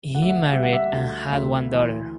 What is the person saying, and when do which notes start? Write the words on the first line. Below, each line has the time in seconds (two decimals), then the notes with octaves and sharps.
He married and had one daughter.
0.15 D2 F#5
0.22 E5
0.29 F#5
0.53 G3 E5
0.63 F#5
0.73 E5
0.93 D2
1.33 D2
1.72 E3